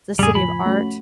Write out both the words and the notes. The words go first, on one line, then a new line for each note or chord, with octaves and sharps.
the city of art.
F2 A2 C#3 G3 G#4
F3 G#5 B5
A3 C#4 F#4